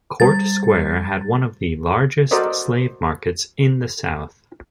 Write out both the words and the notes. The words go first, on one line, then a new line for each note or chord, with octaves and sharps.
Court Square had one of the largest slave markets in the South.
G3 A6
F#4 A4 A#4 C5 D5 D#5